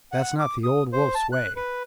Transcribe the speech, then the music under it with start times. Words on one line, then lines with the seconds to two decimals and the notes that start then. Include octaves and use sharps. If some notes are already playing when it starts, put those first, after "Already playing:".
That's not the Old Wolf's way.
0.12 F#5
0.39 D6
0.64 D#6
0.92 C5
1.15 A5
1.32 F#6
1.56 B4